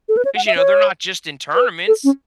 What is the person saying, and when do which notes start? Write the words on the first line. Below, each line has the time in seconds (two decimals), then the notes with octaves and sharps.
'cause, you know, they're not just in tournaments.
0.09 A4
0.17 B4
0.25 C#5
0.36 F#5
0.47 E5
0.57 C#5
1.55 B4
1.87 A4
2.04 C#4